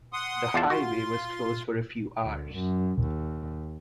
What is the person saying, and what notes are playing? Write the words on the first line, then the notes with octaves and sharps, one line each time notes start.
The highway was closed for a few hours.
F#5 C6 D#6
E2 F4 A5
F4 F#4 C6
D2
F#2
D#2